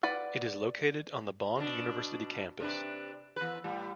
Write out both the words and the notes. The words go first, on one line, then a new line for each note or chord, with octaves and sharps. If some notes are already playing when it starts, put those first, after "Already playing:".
It is located on the Bond University campus.
B4 D5 F#5
B2 D4
C3 D4 B4
E2 B4
A2 G3